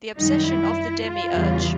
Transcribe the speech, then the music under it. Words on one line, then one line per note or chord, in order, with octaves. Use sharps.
The Obsession of the Demiurge.
F#2 D#3 G3 D#4
E4
F4
E2 C#3 E3 G3